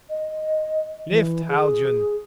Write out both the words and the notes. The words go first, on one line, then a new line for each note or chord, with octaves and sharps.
"Lift, Haljan!"
D#5
E3
G#4